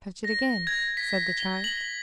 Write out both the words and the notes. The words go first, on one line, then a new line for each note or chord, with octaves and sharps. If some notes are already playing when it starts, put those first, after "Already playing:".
"Touch it again," said the child.
A#6
G#6
B6
G7
F#7